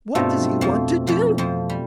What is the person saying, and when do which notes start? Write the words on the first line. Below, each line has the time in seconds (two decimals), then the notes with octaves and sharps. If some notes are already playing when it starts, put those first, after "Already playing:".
"What does he want to do?"
0.15 G2 B2 G3 A3 C4 F4 A4
0.61 F2 F3
1.07 F2 F3
1.38 F2 F3
1.70 G3